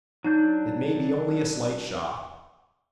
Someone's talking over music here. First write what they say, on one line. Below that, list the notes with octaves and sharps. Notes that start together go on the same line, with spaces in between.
"It may be only a slight shock."
F#3 D4 D#4 G6